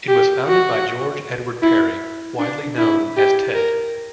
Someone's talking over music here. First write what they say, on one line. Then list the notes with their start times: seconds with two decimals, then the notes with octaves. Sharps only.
It was founded by George Edward Perry, widely known as "Ted".
0.08 G4
0.46 F#4
1.62 E4
2.39 D4
2.78 E4
3.17 G4
3.55 A#4